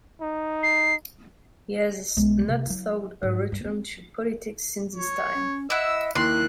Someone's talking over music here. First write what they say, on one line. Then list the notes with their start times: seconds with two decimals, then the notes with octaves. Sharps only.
He has not sought a return to politics since this time.
0.21 D#4
0.63 C7
2.17 B1 G#3
2.49 C3
2.66 F#3 E4
3.23 G#2
3.52 G2
3.65 C4
4.95 C#5
5.34 C#4
5.70 E4 D#5 F#5 E6
6.15 D#2 A#3 E4 C6 F#6